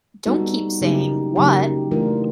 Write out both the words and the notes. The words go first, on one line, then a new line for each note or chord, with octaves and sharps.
Don't keep saying, 'What?'
G3 B3 D#4 F#4 A4
C#3 F#3 A#3 D#4 G4
C#3 F#3 A#3 D#4 G4
E3 A3 D4 F4 A#4